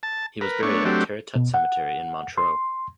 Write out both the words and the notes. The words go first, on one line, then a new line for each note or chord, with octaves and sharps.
He was buried at Territet Cemetery in Montreux.
A5
A#4 B4
A3 B3 D4 C#5
F#3 A3 C4 D4 G4
B2
F#5
C6